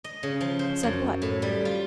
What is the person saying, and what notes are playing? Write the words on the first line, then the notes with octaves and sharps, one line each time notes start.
"Said what?"
D#5
C#3
F3
C5
F#2
A2
G3
F4